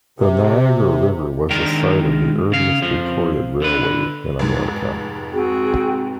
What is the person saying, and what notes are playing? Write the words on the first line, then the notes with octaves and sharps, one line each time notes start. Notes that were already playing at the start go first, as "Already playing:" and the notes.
The Niagara River was the site of the earliest recorded railway in America.
C3
D#3 G#3 D4 A#4 G5 A#5
C#3 F5
F2 F3
D3 B4
F1 G#2
C4 F#4 G#4 G5